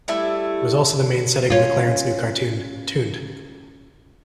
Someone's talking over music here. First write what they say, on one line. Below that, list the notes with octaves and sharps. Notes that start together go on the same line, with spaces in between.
It is also the main setting of McLaren's new cartoon, "Tooned".
G3 A3 E4 E5
C#4 F4